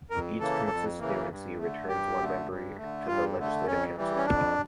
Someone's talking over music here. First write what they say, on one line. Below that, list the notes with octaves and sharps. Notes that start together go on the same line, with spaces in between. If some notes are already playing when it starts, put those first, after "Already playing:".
Each constituency returns one member to the Legislative Council.
F2 A#4
C#3 E3 A#3 A4
F2
C#3 E3 A#3
G2
D3 A3
G2 G4
D3 A3
G2
D3 A3
G2 F4
D3 A3
F2 C#4
E3 G3
C#4
F2 D4